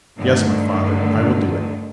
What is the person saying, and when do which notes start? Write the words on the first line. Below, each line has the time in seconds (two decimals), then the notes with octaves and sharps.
"Yes, my father, I will do it."
0.16 G2 D3 D#3 A3